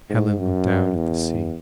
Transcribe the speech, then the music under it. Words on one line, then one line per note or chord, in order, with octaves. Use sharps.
Helen looked out at the sea.
G#2
F#2
E2